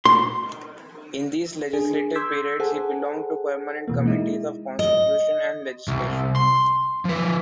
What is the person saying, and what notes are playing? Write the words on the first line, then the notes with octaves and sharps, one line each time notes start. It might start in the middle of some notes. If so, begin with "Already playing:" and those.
In these legislative periods, he belonged to permanent Committees of Constitution and Legislation.
C6
D4 G#4
C6 D6 E6 G6 G#6 B6
G#4 A4 C5 F#5
B2 E3 A#3
G#3 D#4 E4
D#5
C2
C6
F3 B4